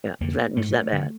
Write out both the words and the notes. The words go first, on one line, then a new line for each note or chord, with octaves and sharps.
Yeah. It's that it's that bad,
F2 D3 A#3
G#2 A3
D3